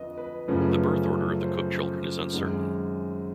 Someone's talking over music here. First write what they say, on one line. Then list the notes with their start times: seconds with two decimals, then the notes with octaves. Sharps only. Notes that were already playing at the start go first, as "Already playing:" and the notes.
The birth order of the Cooke children is uncertain.
Already playing: F2 D3 F3 B4 D#5
0.18 B4
0.48 F#2 C#3 F3 A3 C#4 B4
1.41 C5
2.33 F#2 D#3 G#3 C4